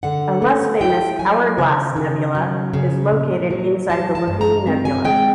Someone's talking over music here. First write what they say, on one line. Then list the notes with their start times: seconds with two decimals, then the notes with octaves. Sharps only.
A less-famous "Hourglass Nebula" is located inside the Lagoon Nebula.
0.03 D3 F#5
0.42 A3
0.81 E4 G5
1.19 F#3 G#5
1.58 C#3 G#5
1.96 C#3
2.35 F#3
2.73 C#3
3.12 A#2
3.51 F#3
3.90 G#3 A5
4.15 A5
4.27 G2
4.41 A#5
4.67 C4
4.85 G#5
5.05 G#3 G5